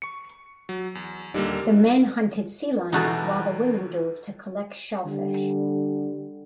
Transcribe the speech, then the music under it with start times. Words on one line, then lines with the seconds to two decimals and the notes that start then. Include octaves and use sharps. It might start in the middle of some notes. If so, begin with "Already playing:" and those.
The men hunted sea lions while the women dove to collect shellfish.
0.02 C#6 C#7
0.69 F#3
0.95 E2
1.34 D#2 A#2 D3 G3 A#3 D#4
2.92 E2 B2 D#4 F#4 A4
5.05 D3 G3